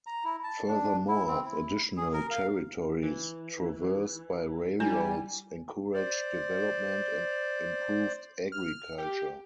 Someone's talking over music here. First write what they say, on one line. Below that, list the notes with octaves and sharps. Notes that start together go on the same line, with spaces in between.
Furthermore, additional territories traversed by rail-roads encouraged development and improved agriculture.
A#5
E4
A5
D4
E4
C4
E4
G#4
A#4
F5
E3
G3 D4 E4 G#5
C5 D5
F6
G4